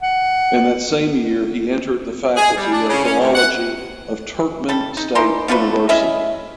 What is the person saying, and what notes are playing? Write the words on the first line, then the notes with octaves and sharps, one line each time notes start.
In that same year he entered the Faculty of Philology of Turkmen State University.
F#5
G#4
G3
D4
C#3
C#4
D2
F#5
G3 A4
D#4
E3 D#4 A#4 C6
D3 F3 A3 B4
C#4 E4 D#5 E5